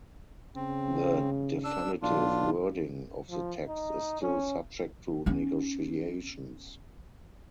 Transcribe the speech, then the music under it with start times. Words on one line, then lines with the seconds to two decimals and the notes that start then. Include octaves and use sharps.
The definitive wording of the text is still subject to negotiations.
0.56 C#3 C4
1.64 D4 E6
2.02 B1 D4 F4
3.30 F3
3.68 D#4
4.21 C#4
5.26 B3 C#4